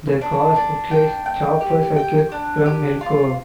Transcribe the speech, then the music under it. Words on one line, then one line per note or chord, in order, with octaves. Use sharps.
The cars utilized chopper circuits from Melco.
D4
D4
G5
G5
G4
G5
D4
G4
F4